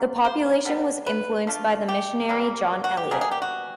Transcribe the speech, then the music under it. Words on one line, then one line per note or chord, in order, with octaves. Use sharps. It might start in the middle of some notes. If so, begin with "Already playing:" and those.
The population was influenced by the missionary John Eliot.
Already playing: C#3 F#3 A#3
C5
D3 G3 B3
B4
F3 A3 D4 F4
G4
C3 E3 G3 A#3
F#4
G4
B2 G3 A#3 G#4
G#4
G4
F#4